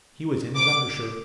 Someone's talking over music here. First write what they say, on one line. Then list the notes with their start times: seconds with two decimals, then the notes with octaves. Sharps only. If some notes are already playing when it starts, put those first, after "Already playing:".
He was in his undershirt.
0.56 D6